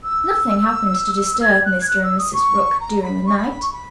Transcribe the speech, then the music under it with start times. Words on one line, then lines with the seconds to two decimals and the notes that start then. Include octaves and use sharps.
Nothing happened to disturb Mr. and Mrs. Rook during the night.
0.03 E6
1.42 G#6
1.65 F#6
1.81 G#6
1.88 F#6
2.03 E6
2.18 D#6
2.33 C#6
2.80 A#5
3.03 B5
3.27 C#6
3.38 B5
3.50 B5
3.62 C#6
3.73 B5